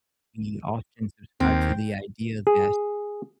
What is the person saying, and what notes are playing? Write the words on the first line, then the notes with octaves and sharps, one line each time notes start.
we often subscribe to the idea that,
D#2 C4
G#4